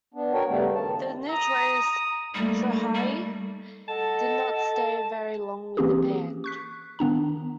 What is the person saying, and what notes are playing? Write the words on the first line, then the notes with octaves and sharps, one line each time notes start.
The new choice, Strahli, did not stay very long with the band.
B3 D4
F#4 A#4 C#5 G5
G2 C#3 G3 A3 B3
D#3 A5
A#5 D#6
G3 A3 A#3 D#4
G3
A4 D#5 F#5 A5
E3 A#3 C4 C#4 G4 G#4
C#6 F#6 B6
D#3 B3 D4 A#5